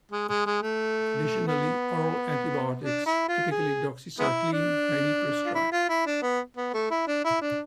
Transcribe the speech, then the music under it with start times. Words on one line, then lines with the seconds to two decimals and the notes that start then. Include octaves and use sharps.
Additionally, oral antibiotics, typically doxycycline, may be prescribed.
0.11 G#3
0.29 G#3
0.46 G#3
0.62 A3
1.47 B3
2.84 D4
3.06 E4
3.29 F4
3.51 G#4
4.19 G#3 B3 E4
4.53 D4
5.45 F4
5.54 E4
5.72 F4
5.89 E4
6.06 D4
6.22 B3
6.56 B3
6.74 A3
6.91 E4
7.07 D4
7.24 E4
7.41 D4